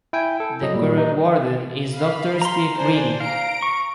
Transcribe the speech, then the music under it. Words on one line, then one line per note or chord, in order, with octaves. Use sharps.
The current warden is Doctor Steve Greedy.
E4 G5 G#5
A4
F#3 D#5
A#2 G3
D#4
F5 B5
A#5 C6
D4 C5 G#5
F5 A#5 D7
C#6